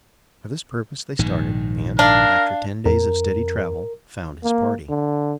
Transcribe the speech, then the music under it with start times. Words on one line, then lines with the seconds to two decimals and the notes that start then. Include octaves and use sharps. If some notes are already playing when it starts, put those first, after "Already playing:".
For this purpose they started, and, after ten days of steady travel, found his party.
1.19 A#1 G#2 D#3
1.99 D4 A#4 F5
2.86 F2 A#4
4.43 A#3
4.89 D3